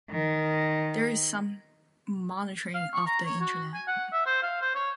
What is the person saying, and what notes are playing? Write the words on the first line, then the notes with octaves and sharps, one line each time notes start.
There is some monitoring of the Internet.
D#3
F5
C#6
A#5
C#5
F#4
G#5
F#5
E5
C5
F5
C5
C#5